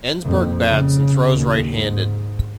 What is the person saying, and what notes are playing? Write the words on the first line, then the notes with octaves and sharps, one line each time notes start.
Ensberg bats and throws right-handed.
F2 A#2
C#3
D#2
G#2